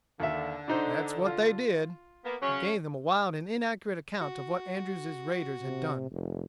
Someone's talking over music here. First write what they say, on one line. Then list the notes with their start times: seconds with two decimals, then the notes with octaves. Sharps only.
"That's what they did!" He gave them a wild and inaccurate account of what Andrews' raiders had done.
0.20 D#2 D3 E5
0.68 D4 D#4 C5
1.26 F4
2.25 A#3 B3
2.41 C#3 F#3 C#4
4.21 F#4
5.62 C3
6.11 F1